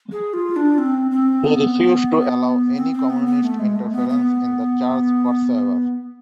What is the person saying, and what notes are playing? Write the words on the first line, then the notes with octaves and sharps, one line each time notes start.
He refused to allow any Communist interference in the Church whatsoever.
G#4
F4
D4
C4
C4
B3
C4
C4
B3
B3
A3
G#3
A3
B3
B3